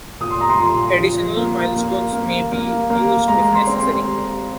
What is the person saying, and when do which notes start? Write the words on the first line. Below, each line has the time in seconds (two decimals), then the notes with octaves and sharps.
Additional milestones may be used if necessary.
0.20 A#2 D#6
0.30 C6
0.41 A#5
0.49 C6
0.60 A#2
0.98 F3
1.37 A#3
1.75 A#3
2.13 A#3
2.52 A#3
2.90 A#3
3.28 G#3 A#5
3.55 C6
3.67 C4
3.80 C6